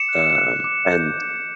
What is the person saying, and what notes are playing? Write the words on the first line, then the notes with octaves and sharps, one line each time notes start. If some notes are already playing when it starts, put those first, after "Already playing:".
Um, and
Already playing: D6 C#7 E7
F#6
F#6
D6
G6
G6